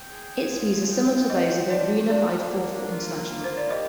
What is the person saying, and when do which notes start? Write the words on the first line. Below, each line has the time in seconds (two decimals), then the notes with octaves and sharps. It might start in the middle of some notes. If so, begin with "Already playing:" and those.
Its views are similar to those of the reunified Fourth International.
Already playing: G5
0.10 G#4
0.50 F4
0.90 G5
1.30 C5 D#5
1.70 D4 D5
2.10 D4 D5
2.50 A#3
2.90 F4
3.30 A#3
3.44 C5
3.57 D5
3.71 G4 D#5